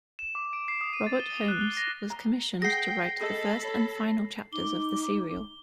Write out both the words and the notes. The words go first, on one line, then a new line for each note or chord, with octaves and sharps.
Robert Holmes was commissioned to write the first and final chapters of the serial.
E7
D6
D7
C7
D#6
D#7
A6
G7
F7
F#6
G7
A#6
A#5
G#4 F#5 G5 A#6 C7
G#4 A4 D#5 B5
C#5
D#4 D6 G7